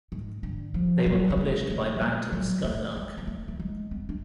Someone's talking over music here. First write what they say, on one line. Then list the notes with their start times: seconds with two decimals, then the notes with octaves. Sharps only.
They were published by Bantam Skylark.
0.12 G#2
0.43 D3
0.74 F3
1.06 F#3
1.30 F#3
1.37 G#3
1.70 A3
1.96 F#3
2.01 G#3
2.33 F#3
2.65 A3
2.96 G#3
3.18 B3
3.27 A3
3.48 A3
3.60 G#3
3.91 B3
4.09 D4